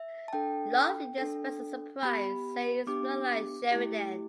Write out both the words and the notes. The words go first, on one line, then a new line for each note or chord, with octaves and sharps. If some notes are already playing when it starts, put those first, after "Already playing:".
Lochley expresses surprise, saying it's not like Sheridan.
Already playing: E5
A5
D4 A4 G5
D4 A4
B3 G4 B5
B3 D4 G4 D6
A3 E4 G4